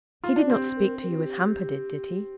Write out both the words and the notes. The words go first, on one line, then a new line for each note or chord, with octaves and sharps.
He did not speak to you as Hamper did, did he?'
F4
D4
C4 G4
A#4
A#4
G4
F4
G4